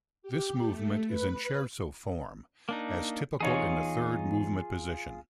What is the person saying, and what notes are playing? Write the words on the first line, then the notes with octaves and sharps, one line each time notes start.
This movement is in scherzo form, as typical in the third movement position.
G4
A3
B4
A#3 D4 D#4
E2 D#4 F4 G#4 C#5